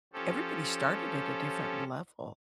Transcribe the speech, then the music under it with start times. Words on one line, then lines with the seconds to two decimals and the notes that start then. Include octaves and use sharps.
everybody started at a different level
0.13 F3 C#4 G4 A4